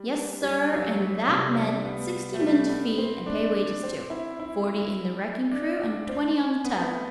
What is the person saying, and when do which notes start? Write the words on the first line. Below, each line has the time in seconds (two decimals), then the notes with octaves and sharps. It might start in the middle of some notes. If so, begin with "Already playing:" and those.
Yes, sir, and that meant sixty men to feed and pay wages to--forty in the wrecking-crew and twenty on the tug.
Already playing: G3
0.43 G3
0.72 F#3
1.00 G3
1.28 C3
1.57 G3
1.85 B3
2.34 A3
2.41 G3
2.69 B3
2.98 C4
3.26 D4
3.54 D4
3.83 C4
4.10 E4
4.40 E4
5.51 D4
5.81 D4
6.09 C4
6.64 B3
6.93 A3